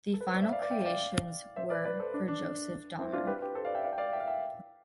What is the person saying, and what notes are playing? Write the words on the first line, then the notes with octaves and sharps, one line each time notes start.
The final creations were for Joseph Damer.
A4
B4
C5
D5
C5 E5
D5 F5
D5 F5
E5 G5
D5 F5
C5 E5
B4 D5
B4 D5
A4 C5
D4
D4
C4 E4
D4 F4
G4 B4
G4 B4
A4 C5
D5 F5
E5 G5
D5 F5
G5
D5 F5
E5 G5
F5
E5 G5